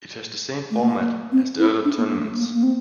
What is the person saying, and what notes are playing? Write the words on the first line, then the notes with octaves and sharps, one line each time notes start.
It has the same format as the other tournaments.
A3
A#3
C4
E4
D4
A#3
A#3
A3
A#3
A#3
C4